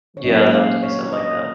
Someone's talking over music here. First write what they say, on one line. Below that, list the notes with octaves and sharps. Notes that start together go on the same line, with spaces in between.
yeah, I'd love it to be something like that.
C#5
A#2 F#3 A#3 C#4 D#5
F5
C#5
D#5